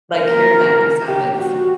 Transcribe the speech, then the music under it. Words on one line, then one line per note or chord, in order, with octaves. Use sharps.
like, hearing that this happens.
A#4
G4
F#4